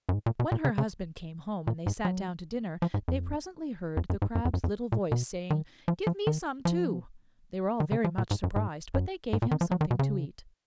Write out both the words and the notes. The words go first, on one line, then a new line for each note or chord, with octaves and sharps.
When her husband came home and they sat down to dinner, they presently heard the Crab's little voice saying, 'Give me some too.' They were all very much surprised, but they gave him something to eat.
F#2
G#2
A#2
B2
A#2
C#3
C#3
A#2
G#2
F#3
F3
G#2
F2
F2
F#2
G#2
F#2
F2
F#2
F2
A#2
B2
D#3
F3
F3
D#3
F3
D#3
C#3
F3
A#2
G#2
F#2
G#2
F#2
G#2
A#2
D#3
F3
F#3
D#3
B2
C#3